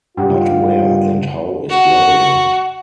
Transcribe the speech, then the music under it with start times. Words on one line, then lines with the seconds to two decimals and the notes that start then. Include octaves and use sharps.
But where and how is Gloria?
0.17 G2 F4 G4 F#5 G5
1.70 F#4